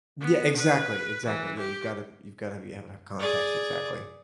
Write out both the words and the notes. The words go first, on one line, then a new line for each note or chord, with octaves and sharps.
Yeah, exactly, exactly. Yeah, you've gotta you've gotta be able to have context, exactly.
B3
B4
E3
G4
G#4 D5